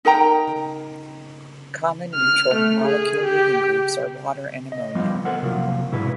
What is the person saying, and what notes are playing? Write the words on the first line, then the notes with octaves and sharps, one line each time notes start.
Common neutral molecule leaving groups are water and ammonia.
D#4 A#4 G5 A#5
F6
A3
G#4
G4
D#5
F3 G3 B3 F4
A4 A#4 C5 F#5
C3 F3 F#3 A#3 F4
G#2 B2 E4 G#4 B4